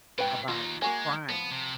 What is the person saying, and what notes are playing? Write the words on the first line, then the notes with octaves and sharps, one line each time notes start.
about crying,
G#2 B2 B4 G5
D#2 D#4 F4
G#3 A#3 F#4 G#5
F3 B3
C3